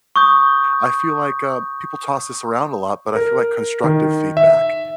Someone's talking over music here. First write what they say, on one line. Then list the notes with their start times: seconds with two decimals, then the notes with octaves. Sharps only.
I feel like, uh, people toss this around a lot, but I feel like constructive feedback
0.16 C#6 D#6 G6
3.16 A#4
3.84 D#3
4.37 E5